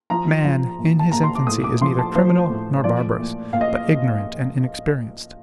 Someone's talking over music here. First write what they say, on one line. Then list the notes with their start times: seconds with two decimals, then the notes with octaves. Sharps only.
Man, in his infancy, is neither criminal nor barbarous, but ignorant and inexperienced.
0.10 F3 A#5
0.44 F3
0.79 A#2
0.99 A5
1.11 A#2 A#5
1.23 C6
1.35 D6
1.47 A2 D#6
1.64 D6
1.81 F3 C6
1.99 A5
2.15 F3 C5
2.50 A2
2.84 F3 D5
3.19 A#2
3.53 A#2 F5
3.61 D#5